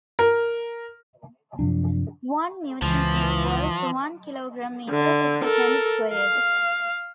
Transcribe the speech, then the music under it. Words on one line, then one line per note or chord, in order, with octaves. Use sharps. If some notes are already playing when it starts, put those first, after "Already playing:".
One newton equals one kilogram metre per second squared.
A#4
F#2 C3 F3 D4
C#2 E3 F3
D3
A4 A#4
F5